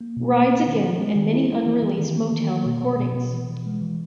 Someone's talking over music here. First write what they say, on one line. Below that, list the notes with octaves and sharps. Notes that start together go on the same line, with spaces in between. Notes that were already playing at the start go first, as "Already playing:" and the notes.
Rides Again, and many unreleased Motown recordings.
A#3
B2
A#3
C#4
D#3
B3
G#3
D#3
E4
E4
E3
E3
D#3
A#3
D#3
A#3
B2
B2
B2
B2
E3
E3
G#3
E3